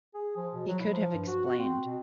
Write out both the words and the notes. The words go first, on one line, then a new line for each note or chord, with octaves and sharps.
He could have explained.
G#4
F3
B2
F#3
E4
F3
G2
F#4
F#4
C4
B2